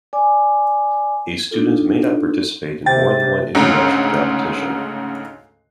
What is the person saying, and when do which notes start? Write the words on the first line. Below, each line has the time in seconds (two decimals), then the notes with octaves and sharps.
A student may not participate in more than one international competition.
0.13 D5 G#5 D6
1.51 D4 D#4 F4 A4
2.86 C3 G5 A6
3.55 D2 G#2 C#3